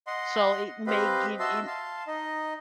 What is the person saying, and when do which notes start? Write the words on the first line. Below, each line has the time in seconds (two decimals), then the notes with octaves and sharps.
So it may give I
0.07 D#5 F#5 C6
0.87 C4 G4 B4 D#5 F5 B5
1.39 F#4 D#5 E5 A5 C6 E6
1.67 F5 A5 C6
2.07 D#4 D#5